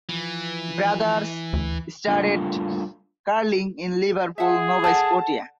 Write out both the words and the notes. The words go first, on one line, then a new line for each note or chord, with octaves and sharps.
Brothers started curling in Liverpool, Nova Scotia.
E3 F3
D2
G3 A3 A#3 D4 F4
G#4 E5 F#5
A4 D5 F#5 A5